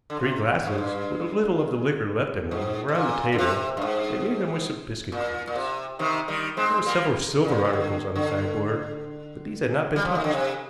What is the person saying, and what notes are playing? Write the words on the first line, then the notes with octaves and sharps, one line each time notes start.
Three glasses, with a little of the liquor left in them, were on the table, and near them were some biscuit crumbs. There were several silver articles on the sideboard, but these had not been touched.
D3
C3
G#2
G2
G#2
C3
A#2
D3
C3
G2
G#2
A#2
A#2
C3
C3 D#3
D#3 G3
G#3 C4
G3 A#3
A#2
C3
D3
D3
G3
F3
D#3
D3
C3